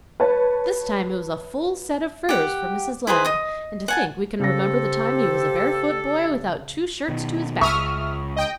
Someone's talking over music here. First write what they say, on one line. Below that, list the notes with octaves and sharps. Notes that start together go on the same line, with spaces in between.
This time it was a full set of furs for Mrs. Ladd; and to think we can remember the time he was a barefoot boy without two shirts to his back!
B4 C#5 A5
G4 F#5
E4 G#4 B4 C5
D#5 D#6
F#5 G#5 A5
C#3 G4 A4 C5 A#6
B2 D#3
C#2 E5 C#6 D#6 F6
D#5 G5